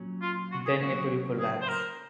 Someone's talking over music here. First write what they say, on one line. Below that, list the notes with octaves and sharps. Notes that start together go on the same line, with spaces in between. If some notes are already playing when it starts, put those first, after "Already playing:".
Then it will collapse.
Already playing: A#2 F#3 C#4
F4
F#4
G#4
C#3 F#3 A#3 F#4
G#4
C5
A#4